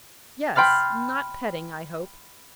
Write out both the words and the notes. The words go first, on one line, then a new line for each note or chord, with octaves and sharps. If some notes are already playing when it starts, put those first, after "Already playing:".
Yes; not petting, I hope.
G5 B5 C6 F6 A6